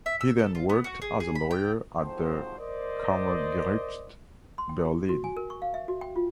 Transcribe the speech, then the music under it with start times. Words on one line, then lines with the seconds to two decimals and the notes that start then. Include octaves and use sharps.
He then worked as a lawyer at the "Kammergericht Berlin".
0.06 E5
0.21 E6
0.39 A4
0.55 F4
0.69 B3
0.84 F#4
1.02 G#4
1.20 G#4
1.35 B5
1.51 G5
1.95 F2 G#2 F3 F#3 C5
2.58 A#4 C5 D5 D#5
4.58 C6
4.69 G5
4.85 G4
5.09 F#4
5.24 G#5
5.37 A#4
5.50 C#6
5.62 F5
5.74 E5
5.88 F#4
6.01 G5
6.16 F4